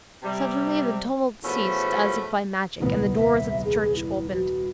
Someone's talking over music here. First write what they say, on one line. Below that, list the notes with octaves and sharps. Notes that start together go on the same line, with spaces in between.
Suddenly the tumult ceased, as if by magic, and the doors of the church opened.
C3 G3
E2 B2 F3 A3 C#4
D#1 C2 B3
E5
G#4
E4
F#4